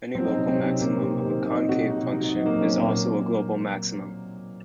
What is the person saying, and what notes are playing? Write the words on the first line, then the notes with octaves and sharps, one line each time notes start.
Any local maximum of a concave function is also a global maximum.
F#3 C4
D#4
C3 C#4
C4
C3
C4
C3 A#3
C3 C4
D#3 C4
C3 D#4
C3 F#4
C3 D#4
F#3 D#4
D#4
F#3
A#3
F#3 C#4
C4
A#2
A#3